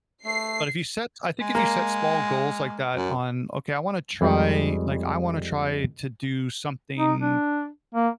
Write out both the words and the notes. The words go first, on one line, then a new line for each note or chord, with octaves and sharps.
But if you set I think if you set small goals like that on, "Okay, I want to try" like, "I want to try to do something"
A3 C7
G#3
A#3
F#2
F2 G3 G#3 G5
D#4
D4
A#3